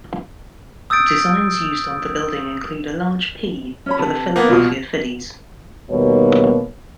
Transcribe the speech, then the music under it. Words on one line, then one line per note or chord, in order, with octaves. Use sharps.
Designs used on the building include a large "P" for the Philadelphia Phillies.
D#6 E6 G6 A6 D7
C#4 C#5 B5
C3 A4 B4
A#3 B3
C2 B2 F4 F#4
D#2 B2 D#3 G3 A#3 C#5